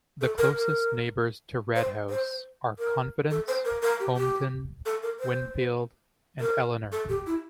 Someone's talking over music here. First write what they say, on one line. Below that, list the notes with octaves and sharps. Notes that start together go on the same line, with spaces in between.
The closest neighbors to Red House are Confidence, Hometown, Winfield, and Eleanor.
A4
A#4
A#4
C5
C5
A#4
A4
C5
A#4
A#4
G4
G4
A4
A#4
C5
A#4
A4
G4
E4